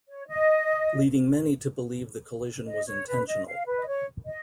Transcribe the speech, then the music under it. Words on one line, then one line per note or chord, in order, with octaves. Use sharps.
Leading many to believe the collision was intentional.
C#5
D#5
D#5
C#5
B4
D#5
F5
B4
D#5
C#5
D#5